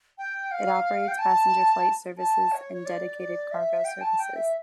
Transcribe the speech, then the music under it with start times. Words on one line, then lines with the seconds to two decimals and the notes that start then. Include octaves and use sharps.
It operates passenger flight services and dedicated cargo services.
0.18 G5
0.51 F5
1.08 G5
1.19 A5
2.18 A5
2.52 C#5
2.74 C#5
2.86 D5
3.19 D5
3.52 E5
3.84 G5
4.01 A5
4.19 G5
4.34 E5